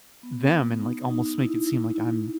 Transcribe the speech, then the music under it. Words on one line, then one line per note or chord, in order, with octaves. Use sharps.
them," and, like, almost make it seem like I'm
B3
B3
D#4
D#4
E4
E4
E4